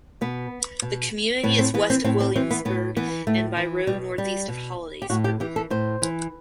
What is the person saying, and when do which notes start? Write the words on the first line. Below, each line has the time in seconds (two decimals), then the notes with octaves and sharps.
The community is west of Williamsburg and by road northeast of Hollidaysburg.
0.21 B2 B3
0.82 B2
1.43 A2 B3
1.59 C4
1.74 E3 B3
1.90 C4
2.04 A2 C4
2.20 C4
2.35 E3 C4
2.51 B3
2.65 A2 B3
2.96 E3 B3
3.27 A2 A3
3.57 E3
3.87 B2 G3
4.18 G3
4.48 B2
5.02 G4
5.10 A2 F#4
5.24 G4
5.40 E3 G4
5.56 A4
5.70 A2 C5
6.02 E3